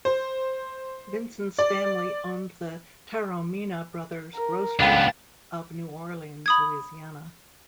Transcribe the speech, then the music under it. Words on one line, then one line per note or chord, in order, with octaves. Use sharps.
Vincent's family owned the "Taromina Brothers Grocery" of New Orleans, Louisiana.
C5
D5
A#4
C#2 B3 D4 F5 G5
B5 D#6 G#6